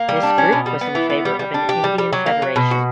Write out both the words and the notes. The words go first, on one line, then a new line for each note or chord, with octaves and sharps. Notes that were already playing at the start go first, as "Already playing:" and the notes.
This group was in favor of an Indian federation.
Already playing: A#3
G3
D4
C#4
B2
G3
B3
E3
B3
G3
G3
D4
G4
G3
G3
F#3
A#3
F#3
B2
F#4